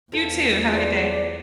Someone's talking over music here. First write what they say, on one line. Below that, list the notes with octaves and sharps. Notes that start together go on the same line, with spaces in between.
You too, have a good day.
E2 F3 A4
G#4 C5 D5